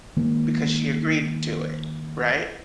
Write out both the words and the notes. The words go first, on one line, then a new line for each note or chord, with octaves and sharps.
because she agreed to it, right?
D#3 G#3 A#3